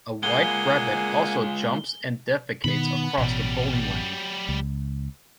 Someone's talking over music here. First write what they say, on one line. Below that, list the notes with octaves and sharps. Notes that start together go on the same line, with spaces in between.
A white rabbit also jumps and defecates across the bowling lane.
G#3 A#3 F4 G#4 F#5 G#5 G7
B2 D#3 F#5 B5
A1 B2 F#3 G3
C#2